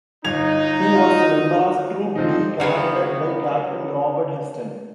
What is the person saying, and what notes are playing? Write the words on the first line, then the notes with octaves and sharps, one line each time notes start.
He was a member of Troop D commanded by Captain Robert Huston.
G1 D#4 G#6 F7
F4 F#4
D3 F3 C4 D#4
C#3 F#3 G3 B3